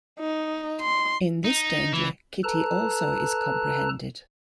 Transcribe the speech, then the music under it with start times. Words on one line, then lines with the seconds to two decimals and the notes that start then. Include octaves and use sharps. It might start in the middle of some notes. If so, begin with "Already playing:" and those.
In this danger Kitty also is comprehended.
0.20 D#4
0.81 C6
1.44 D#4
1.93 E3
2.44 A4 B4 A5 A#5 F#6